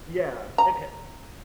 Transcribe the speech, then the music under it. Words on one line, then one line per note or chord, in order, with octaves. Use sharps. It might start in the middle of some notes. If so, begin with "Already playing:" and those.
Yeah, it ha
A#5